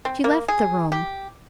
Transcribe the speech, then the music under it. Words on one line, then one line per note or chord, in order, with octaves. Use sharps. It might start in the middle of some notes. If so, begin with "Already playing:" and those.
She left the room.
C4
A#3
G#4
G4